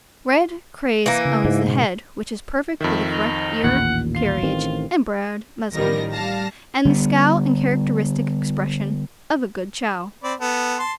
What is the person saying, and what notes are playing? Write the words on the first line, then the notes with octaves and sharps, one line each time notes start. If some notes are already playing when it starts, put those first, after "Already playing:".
Red Craze owns the head which is perfect with the correct ear-carriage and broad muzzle, and the scowl and characteristic expression of a good Chow.
E3 A#3
C#3
G#2
B2
F2 D#3 E5
D#4
A1 D#2 A#2 F#5
F4 C7
A1 D#3 C4
A1 D#3 F3 G3 A#4 A#6
G3 F5 A5 A#6
D3 G3 A3 B3
C4 D5 B5
B3 A4
A5 C6